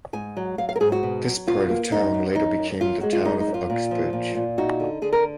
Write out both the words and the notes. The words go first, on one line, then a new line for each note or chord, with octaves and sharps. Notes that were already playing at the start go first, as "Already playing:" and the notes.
This part of town later became the town of Uxbridge.
G#2 G#5
F#3
F#3 F5
F5
A#4
G#2 G#4
F#4
B2
F#3
B2 F4
A#3
F#2 D#4
F#2
F#2 D#4
F#2
F#2 F4
G#3 F#4
F4
G#3 D#4
D#4
F#2
F4
A#2
F3
A#2
A#2
D#4 F#4
D3
D3 G#4
A#4